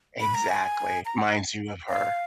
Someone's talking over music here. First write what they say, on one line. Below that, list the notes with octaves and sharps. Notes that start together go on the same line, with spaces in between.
Exactly, minds you of her.
B5
A#5
G#5
A#5
F#5
F5